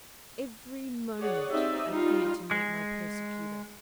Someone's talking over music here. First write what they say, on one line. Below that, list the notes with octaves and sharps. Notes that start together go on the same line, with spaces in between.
Every moment I feared to meet my persecutor.
G#4 C#5 D5 F#5
C4 D#4 G4 D5 E5
G3 D#4 F4
G#3